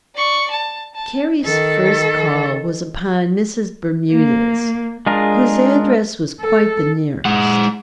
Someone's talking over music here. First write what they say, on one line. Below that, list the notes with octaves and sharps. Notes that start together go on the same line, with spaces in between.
Carrie's first call was upon Mrs. Bermudez, whose address was quite the nearest.
D5 C#6
A5
A5
D#3 A4
A#3
G#3 D4 F4 G#4 A#4
A4
G#3 F#5